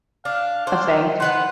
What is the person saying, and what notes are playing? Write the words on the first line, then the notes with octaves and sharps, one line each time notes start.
a thing.
D4 F5
D4 C5
B3 B4 C5 F#5